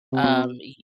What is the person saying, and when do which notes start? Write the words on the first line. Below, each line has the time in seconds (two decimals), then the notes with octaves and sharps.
um, y
0.12 C3
0.23 B2 C4